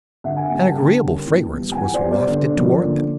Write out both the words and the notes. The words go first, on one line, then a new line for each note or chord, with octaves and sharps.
An agreeable fragrance was wafted toward them.
D3 E5 F#5
F#5 G#5
G3 A#3 C#4 F#5 G#5
G5 A5
D3
G3 A#3 C#4
E3
G3 B3
G5
E3 F#5 G#5
C5 D5
G3 B3
C5 D5
D3
F3 A#3 C#4
D3